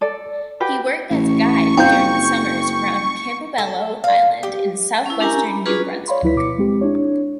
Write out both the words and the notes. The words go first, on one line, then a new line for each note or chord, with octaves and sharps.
He worked as guide during the summers around Campobello Island in southwestern New Brunswick.
A4 D5
F#4 G4 B4
A1 C#6
F#1 C4 D#4 F4 G5 G6
A4
F5
G4
C#4 E4
C#4 D4 G4 A#4 G#5 A#5
B5
C#4 D4 F4 F#4 G#4 B4
C#5 D5 F5 B5 C6
D2 F3 F#3 E4 B4 B6
B2 D6 C#7
G#3 C4 G4
D4 E4 C#5